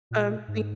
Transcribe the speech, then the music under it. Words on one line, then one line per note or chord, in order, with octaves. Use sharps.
Um, thi
A#2
G#2